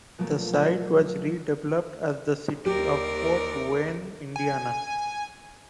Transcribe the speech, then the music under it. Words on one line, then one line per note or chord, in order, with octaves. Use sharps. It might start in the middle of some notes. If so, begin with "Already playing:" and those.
The site was redeveloped as the city of Fort Wayne, Indiana.
B2 F3 F#3 A3 A#3
D#2 G4 A#4 D5
G#5